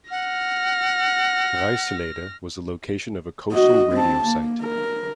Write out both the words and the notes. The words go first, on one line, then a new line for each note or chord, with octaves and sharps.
Ruiselede was the location of a coastal radio site.
F#5 F6 A#6
F#4 D#5
C4 A5
A#3
A#4